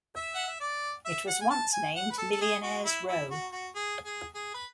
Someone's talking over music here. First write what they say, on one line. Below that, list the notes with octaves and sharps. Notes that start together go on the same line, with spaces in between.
It was once named "Millionaire's Row".
E5
F#5
E5
D5
E5
F#5
G#5
A5
G#5
F#5
B4
A4
A4
G#4
F#4
E4
E4
F#4
F#4
G#4
G#4
G#4
B4